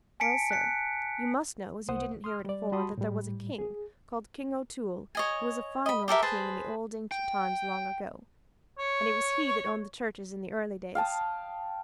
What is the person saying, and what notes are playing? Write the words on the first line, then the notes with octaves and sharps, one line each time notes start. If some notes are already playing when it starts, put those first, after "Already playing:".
Well, sir, you must know, as you didn't hear it afore, that there was a king, called King O'Toole, who was a fine old king in the old ancient times, long ago; and it was he that owned the churches in the early days.
G#5 A5 B6 C#7 D7
F#6 B6 C#7
C2 A#3 C5 F#5 D#6
C6 D#6 F6
G3 D5
G3 F#4 A5 B5 C6 D#6
A2 G3
G#4
C#5 D#5 G#5
D#5 B5
G4 A4 A#4 E5
G#4 B4 C5 A5
G5
C#5
F5 G5 A5 D#6